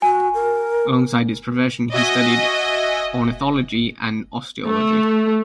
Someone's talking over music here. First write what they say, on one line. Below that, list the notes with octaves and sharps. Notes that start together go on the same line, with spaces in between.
Alongside his profession he studied ornithology and osteology.
F#4 G#5
A#4
F#4 D#5 E5 G#5
A3